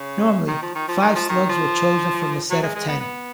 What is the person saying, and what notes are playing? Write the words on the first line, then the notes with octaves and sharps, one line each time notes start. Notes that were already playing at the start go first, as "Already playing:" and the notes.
Normally five slugs were chosen from a set of ten.
Already playing: C#3
D#3
F3
D#3
F3
D#3
F3
D#3
F3
F#3
G#3
G#3
B3
B3